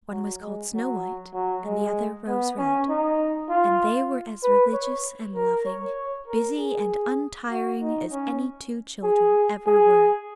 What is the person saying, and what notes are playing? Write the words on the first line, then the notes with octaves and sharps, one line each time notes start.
One was called Snow-White, and the other Rose-Red; and they were as religious and loving, busy and untiring, as any two children ever were.
F#3
G#3
F#3
F#3
G#3
B3
C#4
D#4
F4
B4
C#5
A#4
C#5
A#4
G#4
F#4
D#4
C#4
G#4
G#4